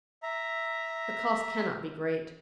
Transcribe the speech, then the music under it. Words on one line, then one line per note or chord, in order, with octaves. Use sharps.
The cost cannot be great.
E5 A#5